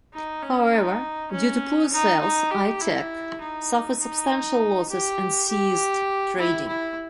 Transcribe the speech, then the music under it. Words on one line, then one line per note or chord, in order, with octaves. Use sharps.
However, due to poor sales Eyetech suffered substantial losses and ceased trading.
D#4
C#4
D#4
C#4
D#4
D#4
G4
E4
D#4
D#4
G4
G4
E4
E4